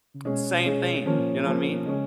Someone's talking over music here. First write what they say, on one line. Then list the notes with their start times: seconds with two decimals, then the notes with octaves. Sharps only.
same thing, you know what I mean?
0.14 C#3
0.24 B2 G#3 C#4 G#4
0.64 G#3 C#4 G#4
1.05 D#3 F3 A#3 C#4
1.19 A#2
1.33 A#2
1.45 G#2 F3 A#3 C#4
1.59 A#2
1.73 B2
1.86 C#3 G#3 C#4 G#4